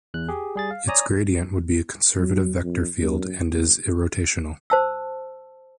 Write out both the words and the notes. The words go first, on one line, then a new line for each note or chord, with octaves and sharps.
Its gradient would be a conservative vector field and is irrotational.
E2 F#6
G4 G#4
G3 G#4 A6
F5
C#5 D5 G#5 A#5 D#6
F#3
F2
F#2
F#1
C5 A5 E6